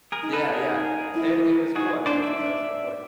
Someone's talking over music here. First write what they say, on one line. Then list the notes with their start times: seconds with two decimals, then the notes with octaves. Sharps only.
Yeah, yeah, and it was cool, I mean, that's that's my boy.
0.12 G#4 A#4
0.23 D#4
0.33 A4 B4
0.54 D#4 G#4 A#4
1.15 E4
1.75 D#4 F#4 G#4
2.06 D4 C5 D5
2.22 D5 E5
2.38 D4